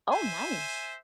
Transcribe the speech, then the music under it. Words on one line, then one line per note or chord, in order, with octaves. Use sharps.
oh, nice.
C5 E5 G#5